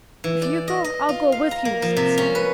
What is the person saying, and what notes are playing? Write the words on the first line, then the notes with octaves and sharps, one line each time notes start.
"If you go I'll go with you," said Sam.
E3
D5
D#5
D#5
F4
F5
A#5
A#3
F3
C3
C#4
B4